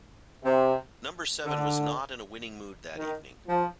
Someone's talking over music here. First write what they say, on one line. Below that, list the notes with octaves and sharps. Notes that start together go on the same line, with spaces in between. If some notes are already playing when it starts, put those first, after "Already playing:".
Number seven was not in a winning mood that evening.
C3
D3
D#3
F3